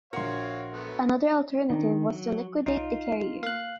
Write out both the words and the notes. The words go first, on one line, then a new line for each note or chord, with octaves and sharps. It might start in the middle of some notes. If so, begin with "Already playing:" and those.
Another alternative was to liquidate the carrier.
A#1 F#4 A#4 C#5 F5 C6 C#7
F#3 A3 B3
D#3 C4 D4 D#4
F#3
C2 D#4 F4 D7 E7
A#3 F5 F#6